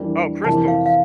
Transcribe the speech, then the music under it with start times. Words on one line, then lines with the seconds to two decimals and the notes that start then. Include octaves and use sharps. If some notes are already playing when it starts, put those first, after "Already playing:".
Oh, crystals.
Already playing: F2 E3 G3 A#3 D4
0.45 F2 C3 E3 A#3 A5
0.68 F5
0.86 F5